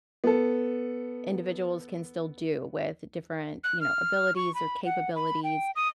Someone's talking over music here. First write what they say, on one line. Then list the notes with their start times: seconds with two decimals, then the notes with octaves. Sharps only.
individuals can still do with different, you know, abilities or capabilities,
0.24 B3 A4
3.64 F#6
3.81 F6
4.36 C#6
4.54 B5
4.85 F#5
5.16 B5
5.44 G5
5.76 D#6